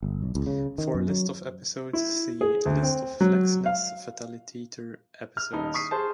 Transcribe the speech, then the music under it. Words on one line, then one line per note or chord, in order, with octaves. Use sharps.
For a list of episodes, see List of Fleksnes Fataliteter episodes.
G1
B1
C#2
C#3
D#3
F#2
F#3
E4
G#4
D2
C4
F#3
F5
F6
D#1 D#4
C#6 D#6 B6 C7
G#4 C5 A5